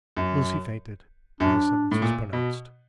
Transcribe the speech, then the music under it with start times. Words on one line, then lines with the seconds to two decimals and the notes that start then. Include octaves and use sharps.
Lucie fainted when the sentence was pronounced.
0.17 F#2
1.40 F#2 D4
1.91 A2
2.02 A#2
2.33 B2